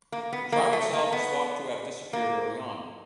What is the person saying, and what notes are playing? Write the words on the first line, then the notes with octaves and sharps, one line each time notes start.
The tribe itself is thought to have disappeared early on.
A#3
B3
A#3
A3
A#3
B3
A#3